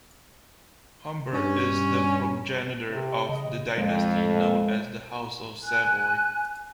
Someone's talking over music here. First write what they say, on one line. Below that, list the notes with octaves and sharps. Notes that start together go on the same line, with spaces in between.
Humbert is the progenitor of the dynasty known as the House of Savoy.
G2 C#4
C3
C#3 D#5
F2 G#3
G#5 F#6